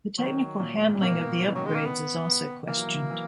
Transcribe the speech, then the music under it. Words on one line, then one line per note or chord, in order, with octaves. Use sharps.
The technical handling of the upgrades is also questioned.
D#3 F#3
A#2
G#2
A#2
B2 A#3
E3
C#3
D#3 F#3
G#3
A#3
B3
E3 A#3
F#3
E3
E3